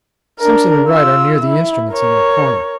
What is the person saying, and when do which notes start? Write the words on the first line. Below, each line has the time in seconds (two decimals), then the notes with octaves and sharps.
Simpson and Wright are near the instruments in their corner.
0.40 D4 A#4
0.88 F4 E6
1.43 E4
1.91 A#4 C#5